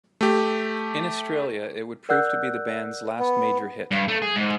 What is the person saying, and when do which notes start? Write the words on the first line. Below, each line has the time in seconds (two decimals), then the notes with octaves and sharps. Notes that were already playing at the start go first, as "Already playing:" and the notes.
In Australia it would prove to be the band's last major hit.
0.21 A3 G4
2.09 A#4 D5 F#5 E6 F#6 G6
3.19 B3
3.91 G2
4.08 A3
4.22 G#4
4.36 G#2